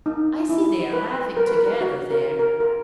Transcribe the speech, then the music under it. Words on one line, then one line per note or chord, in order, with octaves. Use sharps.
I see they are laughing together there.
D#4
E4
B4
A#4
B4
A#4
F#4
A#4
A#4
A#4